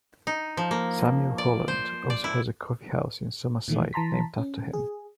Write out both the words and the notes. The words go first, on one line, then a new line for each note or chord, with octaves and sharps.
Samuel Holland also has a coffee house in Summerside named after him.
D#4
F3
A#3
D5
C5
D5
E4
A#2 D#3 E3 A3
E3 A5 A#5 C6 B6
C#4
G#4